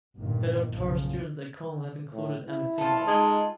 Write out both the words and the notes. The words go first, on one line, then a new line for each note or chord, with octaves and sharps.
Her doctoral students at Cornell have included Amit Singhal.
G1 A#2 D#3
F#1 B1 C#3 F3
A2
E4
F4 A4
G#3 D#4